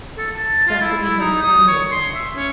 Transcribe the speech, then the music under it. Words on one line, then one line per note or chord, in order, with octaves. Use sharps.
Jacques did not understand the affair.
A4
A5
F4
E4
E4
D#4
D#6
C#5
C6
E5
C#4